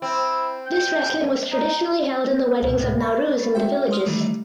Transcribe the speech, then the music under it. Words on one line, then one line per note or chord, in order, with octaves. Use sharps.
This wrestling was traditionally held in the weddings of Nowruz in the villages.
C4 E4
G5
D#4
C#2 B2
C#2 A2 C3
B5 C#6 A6
F#4 A4 C5 E5 G5
C5 D#6 F6
D#3 E3 G3 A3